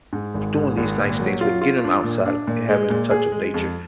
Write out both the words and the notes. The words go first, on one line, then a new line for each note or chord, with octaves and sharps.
doing these nice things with 'em, getting them outside of and having a touch of nature.
G#2
G#1
G#2
G#1
A#2
F#3
F4
F4
D4
A#2
D4
A#2
G#3
A#2
G#4
G#3
F2